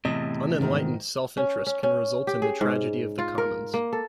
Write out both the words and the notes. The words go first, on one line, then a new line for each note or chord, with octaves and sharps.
Unenlightened self-interest can result in the tragedy of the commons.
E2 A2 C3 D#5
G#2 D#3 A#4
C#4
C#4
C#4
G4
G#4
G#2
F4
A#4
A#3
A4